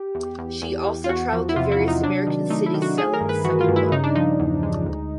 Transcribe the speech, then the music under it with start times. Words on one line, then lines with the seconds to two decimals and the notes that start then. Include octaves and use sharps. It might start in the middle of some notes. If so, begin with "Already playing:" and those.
She also traveled to various American cities selling the second book.
Already playing: G4
0.15 E2
0.38 E2
0.62 E2
0.86 E2
1.04 F4
1.09 E2 F#4
1.32 F3
1.49 E4
1.56 C3 F4
1.72 E4
1.80 C3
1.88 D#4
2.03 F#3 D4
2.27 D#3
2.50 A3 D#4
2.66 E4
2.74 D#3
2.82 F#4
2.98 A3 G#4
3.14 A#4
3.21 G2
3.29 B4
3.44 E3 F#4
3.61 F4
3.68 G2
3.76 E4
3.92 C#3 D#4
4.04 D4
4.15 F3 D#4
4.39 E2
4.63 G#3
4.86 D2